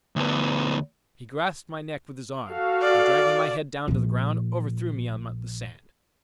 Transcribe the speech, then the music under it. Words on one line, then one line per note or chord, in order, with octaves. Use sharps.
He grasped my neck with his arm, and dragging my head down to the ground, overthrew me on the sand.
D2 B3
F#4 A4 F5
D5
A#1 F3